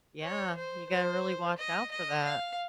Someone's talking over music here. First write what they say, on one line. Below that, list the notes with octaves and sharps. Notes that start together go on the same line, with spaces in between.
yeah, you gotta really watch out for that.
C#5
C5
C5
D#5
D#5
F5